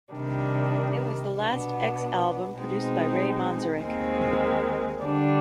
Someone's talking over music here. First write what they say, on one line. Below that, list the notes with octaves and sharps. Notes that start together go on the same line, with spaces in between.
It was the last X album produced by Ray Manzarek.
C3 D#3 G3 D4
B2 B3 D4
B2 G#3 C4 D#4
D#2 D#3 G#3 C4
D3 G3 D4